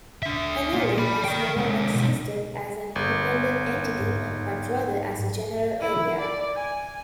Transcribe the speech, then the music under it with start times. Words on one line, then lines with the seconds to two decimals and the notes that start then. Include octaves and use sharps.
Anerley has never existed as an independent entity, but rather as a general area.
0.23 D4 E5
0.73 A#3 F4
0.98 D5 B5
1.24 A#4 G5
1.56 C3 G#3
1.94 B2 G3
2.96 G1
4.00 G#2
5.80 E4
6.19 D5
6.56 G#5